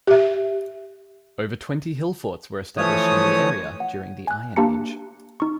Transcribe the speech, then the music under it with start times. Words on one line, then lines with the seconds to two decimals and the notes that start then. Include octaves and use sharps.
Over twenty hillforts were established in the area during the Iron Age.
0.07 G4 E5
2.77 E3 F3 A3 C#5 D#6
3.80 F#5
4.27 G#5 F#6
4.56 A#3 D4 G4 A5 A#5 C#7
5.40 D#4 C#6